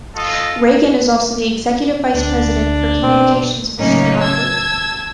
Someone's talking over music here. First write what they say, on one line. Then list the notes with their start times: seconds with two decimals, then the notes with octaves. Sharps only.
Regan is also the executive vice president for communications of the Stronach Group.
0.15 F4 A4 D#5
2.14 D2 D4
3.03 B2 C4
3.79 A2 C#3 F#3 A#3 C#4 D#4
4.21 A5 E6 G#6